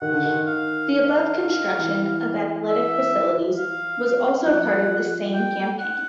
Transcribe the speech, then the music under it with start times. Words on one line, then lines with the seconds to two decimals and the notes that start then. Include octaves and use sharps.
The above construction of athletic facilities was also part of this same campaign.
0.01 D#3 F#5
0.13 D3
0.25 D#3
0.46 F5
0.90 F5
1.79 E3
2.68 E5
3.57 F5
4.45 F3 F#5
4.90 F3
5.34 G5
5.79 F#5